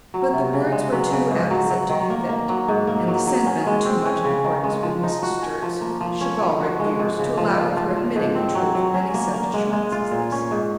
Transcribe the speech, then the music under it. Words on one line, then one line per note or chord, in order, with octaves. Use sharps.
But the words were too apposite to the event, and the sentiment too much in accordance with Mrs. Sturt's chivalric views to allow of her admitting the truth of any such assurance as this.
F#3
C3
C#3
G#3
F#3
C#3
G#2
F#3
F#3
D#3
A#3
A#3
F#3
G#2
A#3
F#3
F#3
C#4
G#3
C4
C#4
C#3
D#3
G#3
F3
D#4
F#4
C#4
F3
A#3
F3
C#4
F3
F#4
G#3
G#2
C#3
F3
F4
F3
F3
G#2
C4
F#3
F#3
C#4
A#3
A#3
G#3
G#3
F4
A#2
C#4
G#2